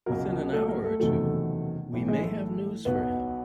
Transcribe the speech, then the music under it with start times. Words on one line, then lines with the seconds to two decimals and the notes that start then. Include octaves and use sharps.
Within an hour or two we may have news for him.
0.06 C#2 B2 F#3 A#3 A#4
0.53 A3 A4
0.68 A#3 A#4
0.84 A3 A4
1.00 F#1 E2 C3 D#3 F#3 A3 A4
1.93 B1 A2 E3
2.08 G#3 G#4
2.23 A3 A4
2.85 B1 B2 F#3 B3 B4